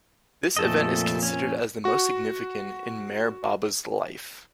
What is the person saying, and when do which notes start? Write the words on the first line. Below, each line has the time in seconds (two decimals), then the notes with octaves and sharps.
This event is considered as the most significant in Meher Baba's life.
0.57 F2 A#2 A3 A4 D#5
1.23 C#4
1.84 F#4 C#6